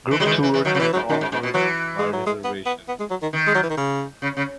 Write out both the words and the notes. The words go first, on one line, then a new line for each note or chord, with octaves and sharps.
Group tours are offered by reservation.
E3
F#3 G#3
D#3
E3
E3
E3
D#3 F#3
C#3
B2 E3
G#2 F#3
F#2 D#3
G#2
G#2
B2
E3 F#3
G#3
F#3
G#3
B3
B3
B3
G#3
F#3
D#3
D#3
G#3
F#3
E3
D#3
C#3
C#3
C#3